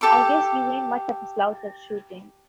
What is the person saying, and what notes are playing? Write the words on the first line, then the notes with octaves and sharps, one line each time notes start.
I guess you ain't much of a slouch at shooting.
G4 A4 E5 D6